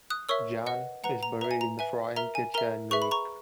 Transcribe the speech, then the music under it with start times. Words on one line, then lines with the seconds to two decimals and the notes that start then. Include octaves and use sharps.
John is buried in the Frauenkirche in Munich.
0.10 D#6 F#6
0.29 A#4 C#5 E5 C#6 E6
0.67 B4 D#5 F#5
1.04 B4 F#5 A#5
1.23 A#5
1.41 B4 E5 A#5
1.51 G#5
1.61 A#5
1.79 B4 E5 G#5
2.16 A#4 E5 A#5
2.35 G#5
2.54 A#4 E5 A#5
2.91 G#4 B4 E5 C#6
3.02 B5
3.11 A#5 C#6